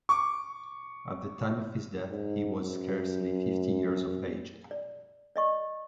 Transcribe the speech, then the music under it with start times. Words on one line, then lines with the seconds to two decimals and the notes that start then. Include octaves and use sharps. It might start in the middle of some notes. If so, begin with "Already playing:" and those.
At the time of his death he was scarcely fifty years of age.
0.09 C#6 D6
2.10 G#2
2.56 F#2
4.71 D5
5.36 D5 D#5 C#6